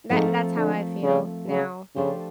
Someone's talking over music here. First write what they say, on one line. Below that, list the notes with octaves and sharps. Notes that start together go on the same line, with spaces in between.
that that's how I feel now
G#2 F3 A3 C4 F4 A#4
D3
C#3
C#3
C#3 F3 A3 D4 G4 C5